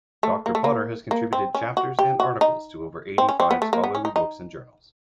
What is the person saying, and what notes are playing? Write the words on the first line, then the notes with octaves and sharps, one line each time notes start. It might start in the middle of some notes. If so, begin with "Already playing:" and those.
Doctor Potter has contributed chapters and articles to over eighty-five scholarly books and journals.
A3
A#3
A3
A#3
A#3
C4
C#4
F#4
G4
F#4
D#4
C4
C#4
C4
B3
A3
A#3
B3
C#4
D#4
D#4